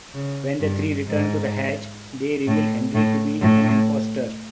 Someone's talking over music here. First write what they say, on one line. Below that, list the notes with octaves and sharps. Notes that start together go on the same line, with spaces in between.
When the three return to the Hatch, they reveal Henry to be an impostor.
C#3
G2
G#2
A2
A2
A2